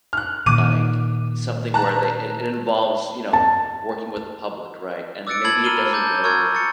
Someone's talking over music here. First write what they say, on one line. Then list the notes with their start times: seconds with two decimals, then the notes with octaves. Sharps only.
l like, i i something where they, it it involves, you know, working with the public, right, and maybe it doesn't go
0.13 F6 F#6
0.46 A#2 D#3 D6 D#7
1.74 A5 A#5 F#6
3.33 A5
5.27 D6 E6 F#6 A6 C#7 D7
5.44 A5 B5 G#6 A6 C7 F#7
5.64 A#5 F6 A6 D#7 F#7 G7
5.91 A5 A#5 D6 G6 A6
6.23 A#5 C#6 E6 F6 G#6 A6
6.55 A6 C#7